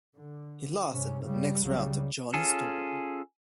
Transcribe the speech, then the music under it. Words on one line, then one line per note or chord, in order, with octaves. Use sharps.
He lost in the next round to Jonny Storm.
D3
G2 C3 C#4
G2 C#3 G3
C#2 C#3 F#3 G3
C#4 F4 G#4 A4